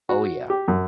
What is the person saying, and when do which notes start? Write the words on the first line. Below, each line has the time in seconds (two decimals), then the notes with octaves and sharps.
Oh, yeah.
0.09 F#4
0.50 G4
0.68 F#2